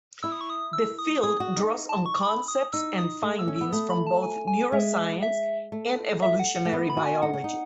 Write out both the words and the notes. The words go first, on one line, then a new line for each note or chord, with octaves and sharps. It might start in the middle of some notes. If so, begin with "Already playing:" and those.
The field draws on concepts and findings from both neuroscience and evolutionary biology.
E4 E6
D#6
C#6
D#6
E6
D#6
G#4 D#6
F#4
D#4
A5
C#6
B5
D#6
D#4 E6
D#6
A3
E6
C#4
E6
B3
A3 D#6
B5
A5
G#5
G#5
G#3 E5
E5
A3
E5
F#5
F#5
A3
B3
B5
F#4
G#5
D#4 F#5
C#4
D#4